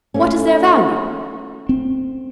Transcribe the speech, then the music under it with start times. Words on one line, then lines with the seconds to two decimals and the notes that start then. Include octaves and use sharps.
"What is their value?"
0.14 A3 A#3 C#4
1.69 C4